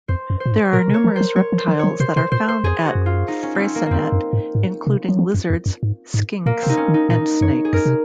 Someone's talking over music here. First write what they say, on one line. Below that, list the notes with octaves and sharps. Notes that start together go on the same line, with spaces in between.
There are numerous reptiles that are found at Freycinet including lizards, skinks and snakes.
F2 C5
F#2
C5
A#2
G#2
A#2 A#4
C3
C#5
F3
F#3 C5
F#3 C#5
F3
C5
F3
F#3 C#5
C3 C5
C3 C5
A#2 C5
C5
F2 G#4
F#4
F#2
F4
D#4
C#4
C4 C#4
A#3
A#3
F2 C4
F#2
G#2
G#2
C3
F#3
F3
F#2
F2
F#2
G#2
G#2
A#2 A#3
C3 C4
D#4
C#4
D#3
D#4
A#2 D#4
F#2 C#5
G#4
F#2 A#4
C3